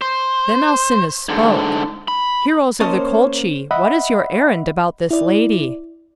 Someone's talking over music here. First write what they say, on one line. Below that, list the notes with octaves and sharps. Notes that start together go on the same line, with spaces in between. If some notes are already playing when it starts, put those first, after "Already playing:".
Then Alcinous spoke: "Heroes of the Colchi, what is your errand about this lady?"
C5
G#2 D3
B5
A#3 C#4 C5 C#5 D#5 A5
D#5 E5 F#5 B5
E4 D5